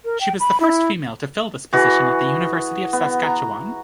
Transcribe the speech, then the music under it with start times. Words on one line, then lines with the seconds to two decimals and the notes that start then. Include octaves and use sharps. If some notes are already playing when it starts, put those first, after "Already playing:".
She was the first female to fill this position at the University of Saskatchewan.
0.05 A#4
0.21 G5
0.40 B5
0.60 E4
1.73 E3 F#4 G#4
2.93 B3
3.23 A#5